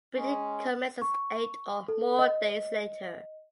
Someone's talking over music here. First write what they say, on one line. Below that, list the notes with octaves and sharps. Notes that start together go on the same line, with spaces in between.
Breeding commences eight or more days later.
G#3 C#4
C#6
A4
D#5